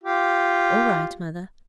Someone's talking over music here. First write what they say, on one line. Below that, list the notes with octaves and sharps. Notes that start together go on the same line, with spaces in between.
'All right, Mother.
F4 G4